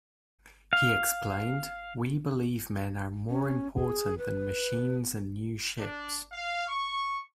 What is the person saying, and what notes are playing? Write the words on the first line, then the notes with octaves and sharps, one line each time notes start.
He explained, We believe men are more important than machines and new ships.
F5
C#4
G#4
B4
D4
F5
C#6